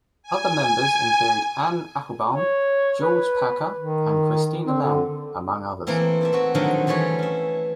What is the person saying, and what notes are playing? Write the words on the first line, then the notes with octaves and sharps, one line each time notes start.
Other members include, Anne Applebaum, George Packer, and Christina Lamb, among others.
G#5
C#5
B4
D#3
C4
D3
E3 A3 A#3 C4 E4
D#4 A4 E5
C4 F#4 B4
D3 D#3 F3 F#3 A3 D#4
E3 G3 A3 G#4 C#5
C#4 E5